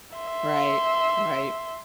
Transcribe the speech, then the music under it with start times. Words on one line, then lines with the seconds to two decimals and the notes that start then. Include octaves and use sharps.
Right, right.
0.16 E5 C6